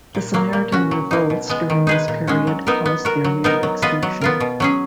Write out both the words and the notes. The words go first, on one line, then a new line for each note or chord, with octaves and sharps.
The Samaritan Revolts during this period caused their near extinction.
A#2
F#3 A#3
A#3
C#4 F#4
F#3
A#3 D#4
B2
G#3 B3
D#3
G#3 D#4 G#4 B4
A#2
G#3 C#4 F#4
F#3
B3 D#4 A#4
B3
F#4 A#4
F#3
B3 D#4 A#4
F#3
B3 F4 B4 D#5
F#3
B3 F4 A#4
B2
F#3 C#4 G#4